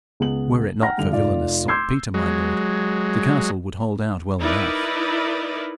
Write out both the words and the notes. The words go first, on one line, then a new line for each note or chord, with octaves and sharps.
'Were it not for villanous saltpetre, my lord, the castle would hold out well enough.'
C#2 B3 F#7
F#5 G5 A#5 F6 A#6
G2 D3 F7
F1 F4 D5
C6 D6 E6 G6 G#6 C7
F#3 G#3
D#4 E4 A#4 B4 D5